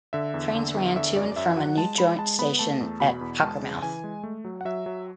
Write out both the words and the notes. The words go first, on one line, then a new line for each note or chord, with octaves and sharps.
Trains ran to and from a new joint station at Cockermouth.
D3 E5
E2
D3
E2
D3 E5
F#2 D5
D5
F#2 E5
F#3 F#5
G#3 A5
G#3 B5
G#3 A5
B3 B5
A3 A5
E2
B2 B5
E2
G#3 A5
C#3
E3 G#5
G#3
A3
F#3
F#5
F#3 E5
F#3